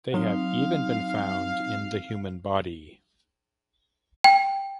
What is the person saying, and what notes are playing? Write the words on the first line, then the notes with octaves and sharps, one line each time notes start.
They have even been found in the human body.
F#3 C4 D#4 F5
G5